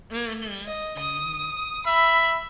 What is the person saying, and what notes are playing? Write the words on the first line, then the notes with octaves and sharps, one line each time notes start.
Mhm, mhm.
D#5
D#6
E5 B5